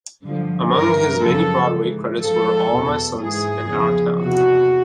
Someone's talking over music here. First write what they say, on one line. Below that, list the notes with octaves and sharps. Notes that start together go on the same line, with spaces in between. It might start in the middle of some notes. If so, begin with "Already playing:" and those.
Among his many Broadway credits were "All My Sons" and "Our Town".
G2 D3 F3
G2 E3 A#4
F#2 C#3 F3 A4
G#2 E3
G#2 F3 A4
E2 B2
G#2 E3 G#4
E2 C#3 F3
E2 C3 E3 F#4